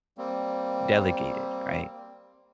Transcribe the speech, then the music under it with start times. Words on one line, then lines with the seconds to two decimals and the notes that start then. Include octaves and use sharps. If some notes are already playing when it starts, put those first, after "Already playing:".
delegated, right?
0.18 G3 A#3 C4